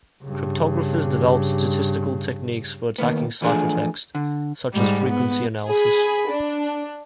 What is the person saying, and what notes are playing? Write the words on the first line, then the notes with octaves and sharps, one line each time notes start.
Cryptographers developed statistical techniques for attacking ciphertext, such as frequency analysis.
G2 C#3
D#2 D#3 A#3 B3
E3 F3 A3 D4 G#4
D3
G#2 G3
B3
G#4 B5
D4